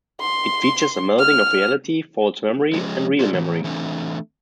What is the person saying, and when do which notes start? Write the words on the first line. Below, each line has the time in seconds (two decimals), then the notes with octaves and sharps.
It features a melding of reality, false memory, and real memory.
0.21 C6
1.20 F6
2.73 F3 G#3 C#4
3.19 F4 G#4 D5
3.33 E3 A3
3.64 E3 A3 C4 D4